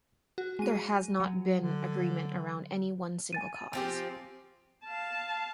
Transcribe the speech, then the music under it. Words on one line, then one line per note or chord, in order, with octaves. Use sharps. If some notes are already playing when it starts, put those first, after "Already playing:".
There has not been agreement around any one single cause.
F#4
G#3 D#7
F#3
D3
G#5 A6 D#7
F3 C4 G4
F5 A5